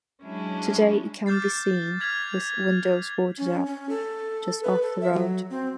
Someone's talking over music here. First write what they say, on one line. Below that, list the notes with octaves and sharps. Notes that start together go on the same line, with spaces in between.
Today it can be seen, with windows boarded up, just off the road.
F#3 G#3 C#4 D4 E4
D6 F6 G6 A6 C7
F6 G#6 B6 F7 F#7
C#4
C#4
A4
B4
A4
E5
F#3
C4